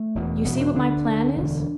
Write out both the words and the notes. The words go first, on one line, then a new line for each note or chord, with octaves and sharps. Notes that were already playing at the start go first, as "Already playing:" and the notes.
You see what my plan is?
Already playing: A3
E1 E2 B2
E1 E2 B2 B3
D4
D2 D3 D4
D2 D3
E1 D2 D3